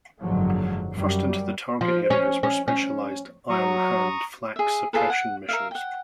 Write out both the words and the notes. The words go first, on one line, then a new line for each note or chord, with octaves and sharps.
First into the target areas were specialized "Iron Hand" flak suppression missions.
F#1 G#2 D3 F3 F#3
F#2 G3
F3
C#4
C#4
C#4
F#3 A#5 C#6 D#6
G#4 E5
F4 G#4 A4 B4
F#5
A#4 E5 F5
F#5 G5